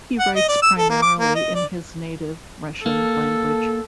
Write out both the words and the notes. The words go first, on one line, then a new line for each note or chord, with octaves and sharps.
He writes primarily in his native Russian language.
F#5
D#5
D5
E6
A4
A#3
D6
A#3
D#5
D5
A#3 A4